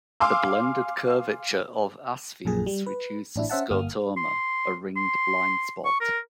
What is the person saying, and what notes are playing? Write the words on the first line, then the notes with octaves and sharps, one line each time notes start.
The blended curvature of aspheres reduces scotoma, a ringed blind spot.
F5 G#5 C6 D6 E6
A#1 F#2 A#2 G#4
G3
B4
A1 D4 E4
C#4 C5 E5 F#5 A5
G1 A#3 D#6 F6
C6
C6
C#6
A#4